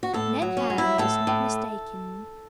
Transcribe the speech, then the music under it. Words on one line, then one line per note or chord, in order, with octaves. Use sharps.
Ned Land was not mistaken.
F#4
A2 A4
F#3
C#4
F#3
E4
A2 A4
A2